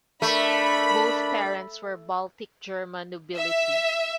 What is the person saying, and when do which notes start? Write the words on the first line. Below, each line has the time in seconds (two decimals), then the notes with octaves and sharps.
Both parents were Baltic German nobility.
0.22 A3 D4 A#4 E5 B5
3.36 E5